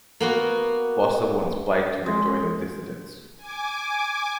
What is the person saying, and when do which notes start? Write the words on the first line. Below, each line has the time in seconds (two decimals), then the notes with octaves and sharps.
Foster wants Blake to rejoin the dissidents.
0.20 A#3 B3 F#4
2.06 G#3
3.37 G#5 D6